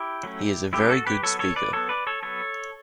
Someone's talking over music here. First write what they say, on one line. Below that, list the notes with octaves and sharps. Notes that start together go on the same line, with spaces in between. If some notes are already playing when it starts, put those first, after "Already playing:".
He is a very good speaker.
Already playing: E4 G4
F#3 A3 C#4
F#3 A3 C#4 E4 G4
F#4 A4
G4 B4
F#3 B3 A4 C#5
A4 C#5
B4 D5
F#3 B3 A4 C#5
B4 D5
A4 C#5
F#3 B3 A4 C#5